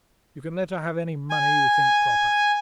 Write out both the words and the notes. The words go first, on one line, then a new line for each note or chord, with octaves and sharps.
You can let her have any money you think proper.
G#5